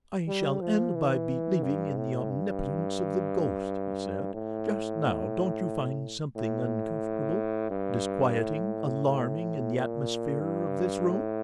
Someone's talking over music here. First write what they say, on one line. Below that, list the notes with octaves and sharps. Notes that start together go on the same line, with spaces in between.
"I shall end by believing in the omnipotence of the ghost," he said. "Just now, don't you find something uncomfortable, disquieting, alarming in the atmosphere of this room?"
G3
F3
E3
G2
A2
G2
A2
A2
G2
A2
A2
A#2
G2
A2